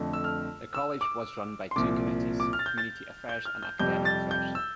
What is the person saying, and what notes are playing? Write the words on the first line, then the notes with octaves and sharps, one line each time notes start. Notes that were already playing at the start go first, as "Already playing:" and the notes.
The college was run by two committees: Community Affairs and Academic Affairs.
Already playing: F2 D3 A3
E6
F6
E6
D6
C6
C2 A#2 F3 D6
D6
F6
A6
G6
A6
G6
F6
G6
F2 C3 G3 G6
A6
G6
E6